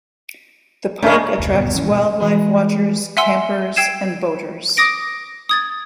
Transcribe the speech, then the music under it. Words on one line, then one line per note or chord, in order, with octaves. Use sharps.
The park attracts wildlife watchers, campers, and boaters.
C#3 G#3 D4 A#4
F1 C#2
D#1 D2 G2 B2
G#1 D#2 E3 C#4
B2 G#3
E3 G#3 F#4 G#4 B4
E5 F#5 G#5 C6 E6
G5 E6 G#6 C7 D#7 E7
D6 D#6 A#6 D7
D#6 G#6 A6